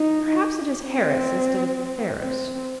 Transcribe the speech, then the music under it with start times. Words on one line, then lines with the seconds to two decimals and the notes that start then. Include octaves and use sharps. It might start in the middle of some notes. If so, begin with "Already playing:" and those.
"Perhaps it is Harris instead of Ferris."
Already playing: D#4
0.83 C4
2.19 C4